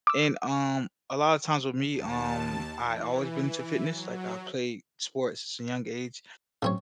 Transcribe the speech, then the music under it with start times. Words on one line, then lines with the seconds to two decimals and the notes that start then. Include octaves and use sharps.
And, um, a lot of times with me, um, I always been into fitness. Like, I played sports since a young age,
0.07 D6 E6
1.90 D#2 A5
2.81 E3
3.91 F#3
6.62 A2 C#3 F#3 C4 C#5